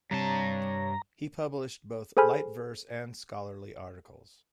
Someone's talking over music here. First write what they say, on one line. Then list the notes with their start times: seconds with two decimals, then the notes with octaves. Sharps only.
He published both light verse and scholarly articles.
0.11 G2 C3 G3 C#5 A5 A#5
2.17 G#4 A4 C5 G#5 B5 F6